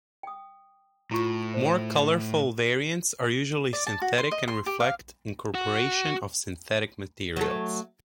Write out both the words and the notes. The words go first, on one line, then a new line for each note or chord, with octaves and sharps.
More colorful variants are usually synthetic and reflect incorporation of synthetic materials.
G5 D#6
A2 E4 F4 C#6
C5
D5
A5
F#4
C6
D#5
C6
G4
F5
F#4
F#3 A3